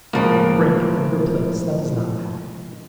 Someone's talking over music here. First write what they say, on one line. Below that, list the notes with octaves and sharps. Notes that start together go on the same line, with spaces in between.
Break and replace; that does not matter.
C#2 A2 F3 A#3 G5